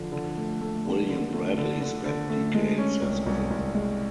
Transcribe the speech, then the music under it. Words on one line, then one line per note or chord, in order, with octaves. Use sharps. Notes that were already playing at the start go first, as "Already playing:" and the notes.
William Bradley spent decades as a criminal.
Already playing: D3 F3
D3
A3
A3
D3
D3
A3
D3
D3
D3
A3
G#3
C#4
C2
C2
C2
G#3